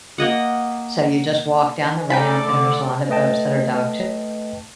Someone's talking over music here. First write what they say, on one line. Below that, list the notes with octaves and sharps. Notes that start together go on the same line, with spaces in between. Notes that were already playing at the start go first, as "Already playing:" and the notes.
So you just walk down the ramp and there's a lot of boats that are docked to
A#3 D#5 F#5
A3 C#4 D#4 A4 D5 G5 A5 B5
D3 D6
A3 B4 D#5 G5 A5